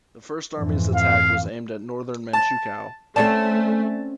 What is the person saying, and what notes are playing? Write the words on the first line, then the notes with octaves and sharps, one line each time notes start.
The First Army's attack was aimed at northern Manchukuo.
F2 G#2 E3
F5
A5
A3 C4 C#4 D5 A5